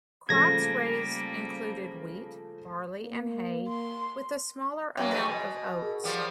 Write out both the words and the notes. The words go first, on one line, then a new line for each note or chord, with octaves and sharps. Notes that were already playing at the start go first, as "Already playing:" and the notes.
Crops raised included wheat, barley, and hay with a smaller amount of oats.
C#3 F3 G3 A3 A#3 G#6 A#6
A#3
C6
F#2 F#3 A#3 C#5 G5
G3 G#3 B4 C6 A6 D#7
B2 G#5
G#4 A#4
F3 G3 B3